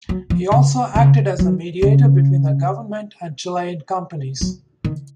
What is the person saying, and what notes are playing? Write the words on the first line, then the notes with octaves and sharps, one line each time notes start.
He also acted as a mediator between the government and Chilean companies.
F#3
F3
C#3
C#3
F#3
C#3
F#3
D#3